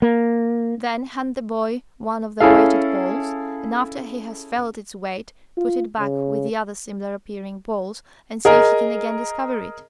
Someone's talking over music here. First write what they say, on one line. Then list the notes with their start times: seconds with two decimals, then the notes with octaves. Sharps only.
Then hand the boy one of the weighted balls, and after he has felt its weight put it back with the other similar-appearing balls and see if he can again discover it.
0.02 A#3
2.40 C#4 E4 G#4 A4 F5
5.57 F4
5.99 C#3
8.45 G#4 A#4 D#5